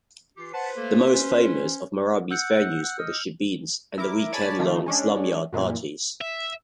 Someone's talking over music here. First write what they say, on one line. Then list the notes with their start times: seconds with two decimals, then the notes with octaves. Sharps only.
The most famous of marabi's venues were the shebeens, and the weekend-long slumyard parties.
0.37 E3 F4 G4
0.52 B4 C5 F#5 A5
0.77 A3 A#3 A4
1.14 C#4
2.31 F#5 E6 G6 C#7
2.82 F#5
2.99 D#5 F6
3.98 E4 A#4 D6
4.33 C#5 D5 G#5 A5 B5 A6
4.59 D#3 F3 A3 A#3
4.86 G#3 C#4 D4
5.53 F#2 A#2 E3
6.21 E5